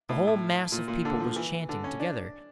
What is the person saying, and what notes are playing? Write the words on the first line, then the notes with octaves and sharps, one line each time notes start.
The whole mass of people was chanting together.
A2
A2
A#2
A#2
D3
F3
E3
D3
C#4
D4